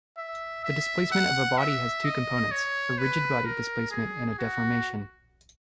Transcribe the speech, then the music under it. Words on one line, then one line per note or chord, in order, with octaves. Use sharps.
The displacement of a body has two components: a rigid-body displacement and a deformation.
E5
E5
F#5
E5
D#5
C#5
B4
A#4
G#4
F#4